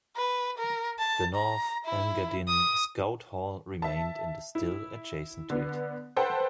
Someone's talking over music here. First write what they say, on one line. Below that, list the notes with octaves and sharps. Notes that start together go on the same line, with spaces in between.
The North Engadine Scout Hall remained and is still adjacent to it.
B4
A#4
A5
A#5
E4
D#6
E5 A5
E4
D3 B3
A4 B4 C5 F#5 G5 A5